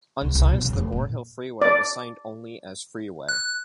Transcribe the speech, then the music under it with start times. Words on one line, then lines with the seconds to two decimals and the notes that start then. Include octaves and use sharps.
On signs the Gore Hill Freeway is signed only as "Freeway".
0.21 C2
0.35 C2
0.48 B2
0.61 E2 C#3
0.73 F1
0.92 A#2
1.62 D5
3.29 F#6